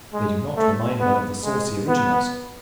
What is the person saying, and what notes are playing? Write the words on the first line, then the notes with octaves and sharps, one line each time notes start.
They do not remind one of the saucy originals.
G#3
A3
B3
G#3
B3